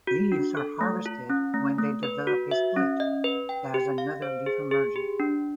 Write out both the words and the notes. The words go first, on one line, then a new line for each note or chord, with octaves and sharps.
Leaves are harvested when they develop a "split" as another leaf emerges.
F#4
D4
A4
A3
F4
C#4
A3
A3
B4
F#4
E5
C#4
D#5
B4
G5
G4
F5
C5
G#4
G#4
G4
D4